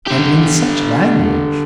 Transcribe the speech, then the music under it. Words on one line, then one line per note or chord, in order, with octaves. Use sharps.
And in such language!
D3 G4